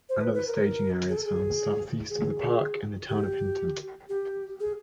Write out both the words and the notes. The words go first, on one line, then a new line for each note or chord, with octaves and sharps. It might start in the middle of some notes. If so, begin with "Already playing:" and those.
Another staging area is found south-east of the park, in the town of Hinton.
C5
B4
B4
A#4
G#4
A4
G#4
G#4
G4
G4
G#4